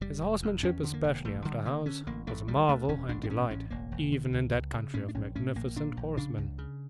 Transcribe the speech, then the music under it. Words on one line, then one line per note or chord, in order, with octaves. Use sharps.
His horsemanship, especially after hounds, was a marvel and delight even in that country of magnificent horsemen.
F1 G3
F1
E2
E2 C#4
D3
A#3
E1
A1 A3
D3 G3
D3 A#3
D3 C#4
A1 A#3
A1 A3
D2 G3
D2 A3
E1 C#4
A1 D4
D4
A2 C#4
A1 C#4
E1 A#3
E1
D3
C#2
C#2
C#3
A2 C#4
D4
A#1 C#4
A2 C#4
A#1 A#3
A#2 D4
A#1
C#3 D4
C#2
C#3